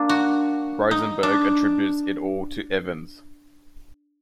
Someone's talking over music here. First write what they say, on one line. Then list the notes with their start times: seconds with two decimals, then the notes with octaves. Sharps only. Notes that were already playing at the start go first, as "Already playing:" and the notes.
Rosenberg attributes "it all" to Evans.
Already playing: A#3 D4
0.09 F#4
0.91 D#4
1.23 D4